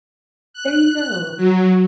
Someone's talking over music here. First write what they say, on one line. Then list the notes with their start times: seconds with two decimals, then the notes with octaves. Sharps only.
There you go.
0.54 F#6
1.37 F#3